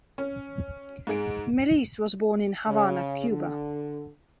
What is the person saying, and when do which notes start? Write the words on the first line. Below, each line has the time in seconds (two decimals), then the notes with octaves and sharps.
Melis was born in Havana, Cuba.
0.18 C#4
1.07 G#2 G#4 D7
2.67 C#3
3.29 D3